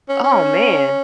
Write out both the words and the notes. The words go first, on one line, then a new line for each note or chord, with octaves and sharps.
Oh, man.
C#4
C#4